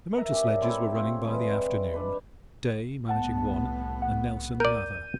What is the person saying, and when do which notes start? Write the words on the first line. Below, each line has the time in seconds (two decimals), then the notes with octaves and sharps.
The motor sledges were running by the afternoon, Day managing one and Nelson the other.
0.16 A#4 D#5 E5 A#5
0.31 C#4 G4 C#5 D5
0.62 C4 E4 A4
0.95 C4 F4 C#5
1.25 E3 G3 G#3
1.93 D4 B4
3.09 C2 A2 B3 F#5 A5
4.02 F#5
4.60 A#4 D5 G6 D#7